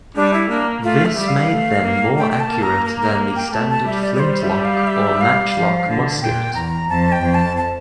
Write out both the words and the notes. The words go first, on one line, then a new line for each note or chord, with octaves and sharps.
This made them more accurate than the standard flintlock or matchlock musket.
G3 D4
E4
A#3 D4
A3 F4
E5
G3
F5
A3
A#3
A3 G5
G5
A5
A#3
A#5
A#5
A#5
G5
A3 A5
A5
G3 E5
D5
D5
C5
E5
F5
E5
F5
F3
D3
A#2 G5
E2 A#5
F2 A5
G5
F2
A5
A5